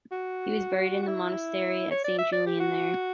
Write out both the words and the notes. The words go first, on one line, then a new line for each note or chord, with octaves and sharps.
He was buried in the monastery of Saint-Julien there.
F#4
F#4
E4
C#5
D5
E5
D5
G4
F#4